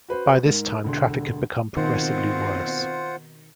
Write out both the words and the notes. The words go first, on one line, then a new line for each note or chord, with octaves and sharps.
By this time, traffic had become progressively worse.
F#4 B4 C5
G#2 A#4
E1 D3 C6
B2 D#3 C4 F4 C5 F#5